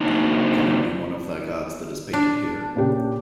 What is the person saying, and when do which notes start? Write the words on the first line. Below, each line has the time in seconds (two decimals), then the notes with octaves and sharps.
Can it be one of thy gods that is painted here?
0.01 C#3 F#3 A#3 C4 D4 D#4
2.13 D4
2.76 A#2 C#3 G4